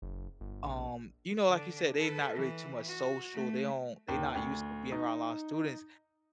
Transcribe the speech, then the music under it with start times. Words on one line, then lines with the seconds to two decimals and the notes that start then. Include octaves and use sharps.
um, you know, like you said, they not really too much social. They don't they not used to being around a lot of students.
0.02 F#1
0.40 G1
0.63 A#1
1.49 D3 D4
1.97 A4 B4
2.34 E3
2.86 F#4
3.34 A3
4.08 D#2
4.35 D2
4.92 D#4